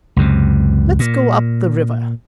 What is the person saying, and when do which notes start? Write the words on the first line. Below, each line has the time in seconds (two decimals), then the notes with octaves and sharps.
"Let's go up the river."
0.17 C#2 F#2 C3
0.99 A#2